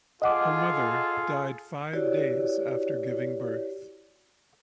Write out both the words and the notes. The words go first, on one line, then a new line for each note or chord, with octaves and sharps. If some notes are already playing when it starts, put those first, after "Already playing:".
Her mother died five days after giving birth.
F4 G#4 A4 D#5 F#5 D6
E4 F#4 G4 B4 C#5 D5